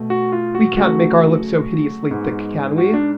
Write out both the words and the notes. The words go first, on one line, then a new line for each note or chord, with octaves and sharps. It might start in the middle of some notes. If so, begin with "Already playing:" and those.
We can't make our lips so hideously thick, can we?
Already playing: B2 A3
F#4
F4
F#4
C#3 F#3 A3 F#4
G#2 G#3 B3
F#4
D4